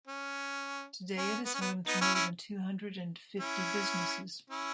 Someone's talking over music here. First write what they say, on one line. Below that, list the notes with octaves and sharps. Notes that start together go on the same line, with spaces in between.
Today it is home to more than two hundred and fifty businesses.
C#4
C#4
B3
C#4
B3
B3 D#4
C#4 E4
C#4 E4
C#4 E4
C#4 E4